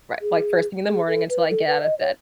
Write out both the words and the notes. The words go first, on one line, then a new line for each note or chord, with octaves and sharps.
ri like, first thing in the morning until I get out of bed
G#4
G#4
A4
B4
A4
B4
D#5
C#5